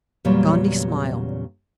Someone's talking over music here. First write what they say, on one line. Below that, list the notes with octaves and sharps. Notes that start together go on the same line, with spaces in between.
Gondy smiled.
E2 A#2 C#3 F#3 G3